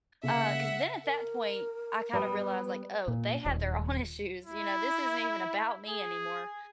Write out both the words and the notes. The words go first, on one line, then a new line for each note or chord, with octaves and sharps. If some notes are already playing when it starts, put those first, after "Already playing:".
uh, 'cause then at that point, I kind of realized like, "Oh, they have their own issues, you know, this isn't even about me anymore."
C#3 A#3 E5 F#5
A#4
G3 B3 B4
A#2
D#1
E4
G#4